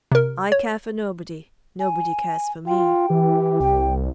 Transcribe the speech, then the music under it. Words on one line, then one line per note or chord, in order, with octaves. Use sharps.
'I care for nobody-- Nobody cares for me.'
C3 A#4
C#5
G#5
F4 G5
E3 G4
C2 G5